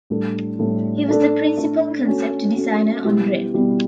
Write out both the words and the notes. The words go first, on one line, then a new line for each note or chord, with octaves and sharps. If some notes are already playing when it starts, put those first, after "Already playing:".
He was the principal Concept Designer on Dredd.
A2 G3 D4 A4
A2 G3 D4 A4
A3 D4 A4
A3 D4 A4
A3 C#4 F#4
A3 C#4 F#4
B2 G3 B3 E4 G4
B2 G3 B3 E4 G4